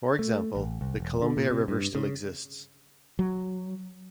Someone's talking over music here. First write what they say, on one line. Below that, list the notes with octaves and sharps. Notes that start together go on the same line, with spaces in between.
For example, the Columbia River still exists.
A3
A1
C2
E1
D3
A#2
C3
G2
C#3
F#3